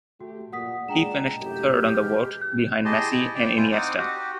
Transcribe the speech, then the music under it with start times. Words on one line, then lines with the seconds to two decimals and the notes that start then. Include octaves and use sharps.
He finished third on the vote, behind Messi and Iniesta.
0.20 A3 F#4 G4
0.53 A#2 F#5 D#6 B6
0.88 G#3 D4 G5 A#5 E7
1.39 F#2 A2 C3 G4
1.94 B2 E3 G#3 F6
2.85 E4 G4 G#4 D#5 A5 C6
3.10 E4
3.35 D5 G5
3.57 E4 F4 C5 G#5
3.72 C4 D#4 C5 F#5 D6 D#6
3.97 F#4 G4